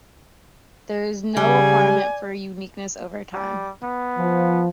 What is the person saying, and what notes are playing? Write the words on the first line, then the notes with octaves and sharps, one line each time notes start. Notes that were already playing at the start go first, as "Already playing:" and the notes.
There is no requirement for uniqueness over time.
C#3 G3 G#5
G3
B3
F3